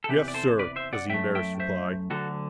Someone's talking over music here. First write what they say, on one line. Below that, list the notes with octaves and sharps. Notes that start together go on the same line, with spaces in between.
"Yes, sir," was the embarrassed reply.
A4
E2 C3 E3 G4 B4
D5
A4 C5
B4 D5
C5 E5
D5 F#5
F#2 F#3 A3 E5 G5
E5 G5
C5 E5
D2 D3 F#3 F#4 A4